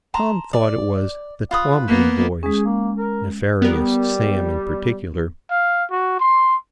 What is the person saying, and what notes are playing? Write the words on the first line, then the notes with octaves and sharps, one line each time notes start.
Tom thought it was "the Twombly boys," nefarious Sam in particular.
A5 A#5 C6
D5
F4 B4 D#6
A#3 B3
G#3 C#4 G#4
A#3
A#4
G3 B3 A#4
F5
F#4
C6